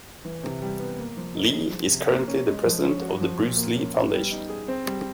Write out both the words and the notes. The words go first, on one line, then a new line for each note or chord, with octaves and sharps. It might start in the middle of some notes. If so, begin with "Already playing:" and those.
Lee is currently the president of the Bruce Lee Foundation.
E3
C3
G3
B3
A#3
F3
D#4
G#4
F3
C3
A#3
C#4
G#3
F3
C#4
F#4
F3
A#2
A#3
C#4
B3
G3
D#4
G#4
C4
G3